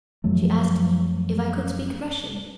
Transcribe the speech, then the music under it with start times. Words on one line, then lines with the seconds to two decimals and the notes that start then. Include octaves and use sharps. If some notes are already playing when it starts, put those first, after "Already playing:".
She asked me if I could speak Russian.
0.24 F#2 F3 F#3 A3